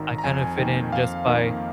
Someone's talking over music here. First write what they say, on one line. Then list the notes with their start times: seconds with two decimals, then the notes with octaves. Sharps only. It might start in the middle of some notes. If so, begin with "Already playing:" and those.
I kind of fit in just by
Already playing: G#1 D#3 A#5
0.18 A#5
0.24 F2 G#5
0.58 D#3 A#3 G5
0.92 F2 F5
1.26 D#3 A#3